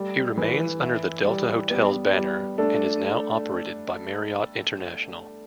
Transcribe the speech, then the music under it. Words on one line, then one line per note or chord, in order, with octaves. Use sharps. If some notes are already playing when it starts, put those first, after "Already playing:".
It remains under the Delta Hotels banner and is now operated by Marriott International.
Already playing: G3 A3
E3
E4
G3
G3 B3 B4
G3
A3 D4 A4